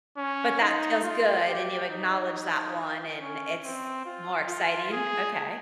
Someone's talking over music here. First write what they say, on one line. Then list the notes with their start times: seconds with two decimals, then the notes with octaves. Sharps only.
But that feels good, and you acknowledge that one, and it's more exciting? Okay.
0.17 C#4
0.60 D#4
1.03 F4
1.47 G4
1.90 D#4
3.19 C#4
3.63 C4
4.06 F4
4.49 F4
4.92 G#4